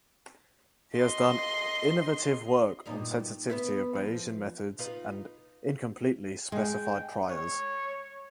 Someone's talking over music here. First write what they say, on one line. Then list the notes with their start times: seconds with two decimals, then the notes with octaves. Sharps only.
He has done innovative work on sensitivity of Bayesian methods and incompletely specified priors.
0.97 D#5 C6
2.86 G2 A#2 D#4
3.50 B3 B4 E5
3.95 F3
4.79 D#4 F4 B4
6.52 G#3 G5
7.30 C#5